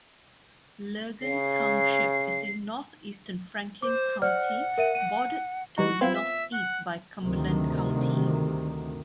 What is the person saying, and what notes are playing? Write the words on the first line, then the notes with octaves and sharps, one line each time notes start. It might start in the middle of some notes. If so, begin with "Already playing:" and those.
Lurgan Township is in northeastern Franklin County, bordered to the northeast by Cumberland County.
C#3 C7
C5 D6
C5 D5 F#5 F6
A#4 E5 D#7
D#7
E3 G3 D#4 F#4
B3 C4 E4 F4
E5
F#5
D2 G2 C3 D#3